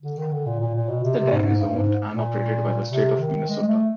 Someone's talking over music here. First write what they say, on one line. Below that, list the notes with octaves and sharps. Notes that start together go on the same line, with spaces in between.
The dam is owned and operated by the state of Minnesota.
D3
D#3
D3
A#2
A#2
A#2
B2
C3
C3
G#2
G#2
G2
G#2
A#2
C3
D#3
G#3
G#3
A3